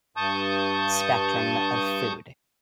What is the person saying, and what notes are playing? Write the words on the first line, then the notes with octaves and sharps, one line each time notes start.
spectrum of food.
G2 A5 C#6 D#6 G6